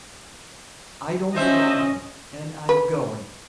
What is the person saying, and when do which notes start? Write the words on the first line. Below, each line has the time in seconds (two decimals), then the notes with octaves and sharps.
I don't belong here, and I'm going.
1.35 F3 C#4 C5 D#5 E5
2.69 B4